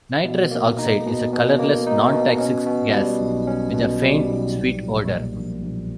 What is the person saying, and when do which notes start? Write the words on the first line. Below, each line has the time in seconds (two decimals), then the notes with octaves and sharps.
Nitrous oxide is a colourless, non-toxic gas with a faint, sweet odour.
0.24 B2
0.51 A#3
0.78 D#4
1.06 B2
1.33 B2
1.59 A#3
1.87 D#4
2.12 B2
2.40 C#4
2.67 B2
2.93 G3
3.20 B1
3.47 C#4
3.74 B2
4.02 G3
4.28 B1
4.54 A#1
4.82 A#2
5.08 A#3
5.36 A#1
5.62 A#1